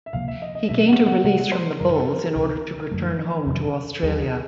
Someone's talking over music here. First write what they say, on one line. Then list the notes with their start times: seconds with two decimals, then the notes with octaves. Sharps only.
He gained a release from the Bulls in order to return home to Australia.
0.06 E5
0.13 C#2 C3 F3 A#3 F5
0.28 E5
0.42 D#5
0.55 D#5
0.69 B2 F#3 B3 D4 E5
0.88 F#5
1.06 F#5
1.24 C3 F3 G#3 F#5
1.38 F#5
1.52 C5
1.80 F#2 D3 G3 A#4
1.94 A4
2.07 A#4
2.36 C#2 C3 E3
2.91 F#2 D3 F#3 A3
3.46 F2 C3 D#3 F#3
4.03 D#2 D3 F#3 G#4
4.21 G#4